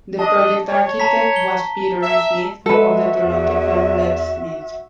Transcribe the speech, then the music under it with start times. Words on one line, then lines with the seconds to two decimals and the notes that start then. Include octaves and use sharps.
The project architect was Peter Smith, of the Toronto firm Lett-Smith.
0.19 D4 D#5 A5
0.67 C#5
1.00 A5 A#5 B6
1.36 G7
2.02 E5
2.66 G#3 F#4 A4 B4 E5
3.23 E2